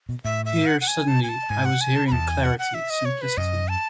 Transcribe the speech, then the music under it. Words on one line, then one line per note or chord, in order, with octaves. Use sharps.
Here, suddenly, I was hearing clarity, simplicity.
B2
A2 E5
E5
F#5
F#5
G#5
A5
G#5
A5
G#2 G#5
F#5
G#5
A5
B5
E2 A5
G#5
F#5
F#5
E5
D#5
C#5
B4
F#2 D#5
A5